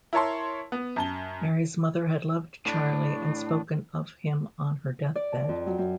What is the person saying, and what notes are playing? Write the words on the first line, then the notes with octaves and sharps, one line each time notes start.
Mary's mother had loved Charlie and spoken of him on her deathbed.
E4 A#4 C#5 A5 C6
B3
F#2 A5 G7
A2 D4
D5
A5
F2
F#3
F#2